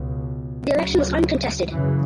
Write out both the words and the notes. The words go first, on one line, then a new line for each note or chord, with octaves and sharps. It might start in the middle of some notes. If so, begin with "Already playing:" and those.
The election was uncontested.
Already playing: C#2 B2
D2 C#3 F#3
F#2 C#3 E3